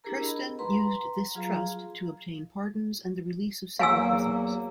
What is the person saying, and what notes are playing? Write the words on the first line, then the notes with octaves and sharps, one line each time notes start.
Kersten used this trust to obtain pardons and the release of several prisoners.
D4 E4 G4 G#4 A#4 A#5
D#5 B5
B4 F#5 A#5 C6
F#3 F4 G#4 F5 A#5
E2 F#3 A#3 F5 G#5 E6